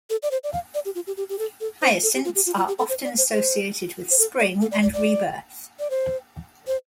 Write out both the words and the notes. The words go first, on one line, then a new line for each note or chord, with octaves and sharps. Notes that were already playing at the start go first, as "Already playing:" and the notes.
Hyacinths are often associated with spring and rebirth.
A4
D5
C5
D5
F5
D5
G4
F4
G4
G4
G4
A4
A4
C5
A4
G4
F4
G4
F4
F4
G4
A4
C5
D5
C5
C5
C5
A4
D5
A4
D5
D5
D5
D5
C5
C5